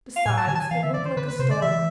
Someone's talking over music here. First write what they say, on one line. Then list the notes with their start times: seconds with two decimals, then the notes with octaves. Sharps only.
Besides, it looked like a storm.
0.16 F5
0.26 A2 G#5
0.37 A5
0.47 D3 G#5
0.55 E3 A5
0.60 G#5
0.71 E3 F5
0.83 D3 E5
0.94 E3 D5
1.05 C5
1.17 D3 B4
1.28 B4
1.39 C3 C5
1.51 D3 D5
1.62 E3 E5